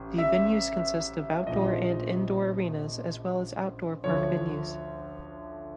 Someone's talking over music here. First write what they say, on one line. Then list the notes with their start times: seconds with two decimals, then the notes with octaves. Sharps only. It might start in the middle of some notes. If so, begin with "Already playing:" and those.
The venues consist of outdoor and indoor arenas as well as outdoor park venues.
Already playing: A1
0.18 E5
1.47 A#1 A#2 F3 D#5
4.04 D2 D3 F3 C#5